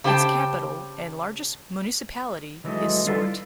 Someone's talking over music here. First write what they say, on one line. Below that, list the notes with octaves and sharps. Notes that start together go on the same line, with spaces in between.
Its capital and largest municipality is Sort.
C#3 G4 C5 G5 A5
D#3 E3 F#3 G#3 A3 D#4
D3 G3 F4 A4 B4
E4